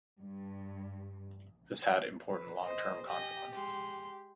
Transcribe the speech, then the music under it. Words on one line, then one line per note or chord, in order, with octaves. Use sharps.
This had important long-term consequences.
G2
B4
C5 D#5
G4 D#5 G#5
G#3 C6